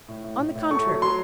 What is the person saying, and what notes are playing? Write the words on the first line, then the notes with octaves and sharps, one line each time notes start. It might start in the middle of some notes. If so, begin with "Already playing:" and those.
On the contrary.
A2
A2
A2
A2
A3 C#6
F#3
F#3 C6